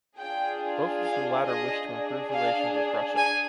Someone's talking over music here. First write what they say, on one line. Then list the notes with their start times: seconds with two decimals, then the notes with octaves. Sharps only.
Both of the latter wish to improve relations with Russia.
0.18 D4 F4 G#4 G5
1.04 F5
1.46 D#5
1.89 D4 G#4
2.32 F5
3.16 G#5